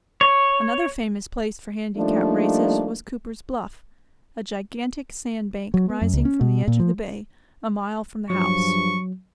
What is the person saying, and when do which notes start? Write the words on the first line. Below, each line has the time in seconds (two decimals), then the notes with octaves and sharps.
Another famous place for handicap races was Cooper's Bluff, a gigantic sand-bank rising from the edge of the bay, a mile from the house.
0.21 C#5
1.97 F3 G3 A3 A#3 D4 D#4
5.74 F#3
5.90 B3
6.02 F#2
6.13 C#2
6.25 C#4
6.41 B2
6.68 A#2
6.80 F3
8.30 G2 F3 F#3 C#6